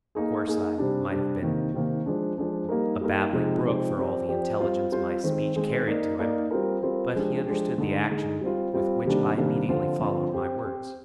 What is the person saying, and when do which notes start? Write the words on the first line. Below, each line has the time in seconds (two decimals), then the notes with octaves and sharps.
Of course I might have been a babbling brook for all the intelligence my speech carried to him, but he understood the action with which I immediately followed my words.
0.15 A#3 D#4 G#4
0.47 A#3 D#4 G#4
0.78 C3 G3 D4
1.10 C3 G3 D4
1.42 C3 D#3 A#3
1.74 C3 D#3 A#3
2.06 F3 G#3 D4
2.38 F3 G#3 D4
2.69 G3 A#3 D#4 A#4
3.01 G3 A#3 D#4 A#4
3.33 C3 F3 G#3 D#4 G4
3.64 C3 F3 G#3 D#4 G4
3.97 F3 C4 G4 D5
4.29 F3 C4 G4 D5
4.59 G3 C4 F4 C5
4.92 G3 C4 F4 C5
5.23 D#3 G#3 C4
5.56 D#3 G#3 C4
5.87 A#3 D#4 A#4 D5
6.19 A#3 D#4 A#4 D5
6.51 G3 C4 F4 A#4
6.83 G3 C4 F4 A#4
7.14 F3 G#3 D4 G4
7.46 F3 G#3 D4 G4
7.78 D3 G#3 D#4
8.10 D3 G#3 D#4
8.41 G3 C4 F4
8.74 G3 C4 F4
9.05 C3 D#3 G3 A#3 D4
9.37 C3 D#3 G3 A#3 D4
9.69 D3 F3 C4 F4
10.00 D3 F3 C4 F4
10.33 C4 G4 C5
10.64 C4 G4 C5